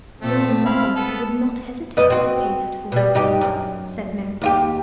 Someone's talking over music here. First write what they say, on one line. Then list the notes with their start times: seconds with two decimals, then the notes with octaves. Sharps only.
"Your mother would not hesitate to pay that for you?" said Mary.
0.22 A#2 F3 A3 C4 A4
0.66 G#3 E4 F5 B5
0.96 B3 A4
1.97 F2 B4 D#5
2.10 C4 F#4
2.92 B2 G3
3.15 G2 D#4 G4
3.41 F#2
4.42 D#2 F4 G4